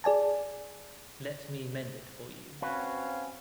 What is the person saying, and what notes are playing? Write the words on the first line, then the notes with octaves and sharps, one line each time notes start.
Let me mend it for you.
G#4 D5 G#5 A5
C4 C#4 F#4 B4 C#5 F5